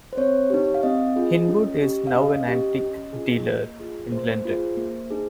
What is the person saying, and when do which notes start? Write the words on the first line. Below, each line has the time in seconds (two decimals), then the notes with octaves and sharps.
Hinwood is now an antiques dealer in London.
0.13 C5
0.17 C4 C#5
0.50 D#4 G4
0.75 F5
0.83 C4 D#5
1.16 F4 G#4
1.48 C#4
1.82 G4
2.07 F5
2.15 C#4 D#5
2.48 G4
2.81 C#4
3.13 F4 G#4
3.46 A#3
3.80 F4 G#4
4.12 A#3 C5
4.45 F4 G#4
4.77 A#3
5.10 D#4 G#4